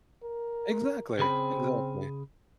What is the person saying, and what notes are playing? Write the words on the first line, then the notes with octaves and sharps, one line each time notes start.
Exactly. Exactly.
A#4
C#3 C4 G#4 B5